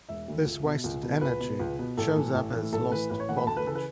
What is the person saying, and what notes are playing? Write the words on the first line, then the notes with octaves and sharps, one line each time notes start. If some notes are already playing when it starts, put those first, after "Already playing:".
This wasted energy shows up as lost voltage.
E1 E5
D2 D3
C#2
B2
C#2
B2
C#2 B4
B2
C#2
B2
A1 A4
A2 E3
A1
A2 E3
A1 A4
A2 E3 B4
A1 B4
C#5
A2 E3 F#5
B5
D2 A5
B4
C#3 E3 A4
B4